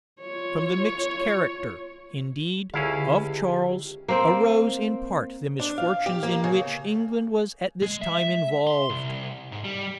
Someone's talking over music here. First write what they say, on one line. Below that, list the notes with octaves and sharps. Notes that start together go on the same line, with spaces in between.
From the mixed character, indeed, of Charles, arose in part the misfortunes in which England was at this time involved.
F4 C#5
C#2 D3 C#4 E4 G4 F5
A#3 C4 C5
D4
F5
G4
A#3
C#3
G#3
E5
C6
C2
G#2
G3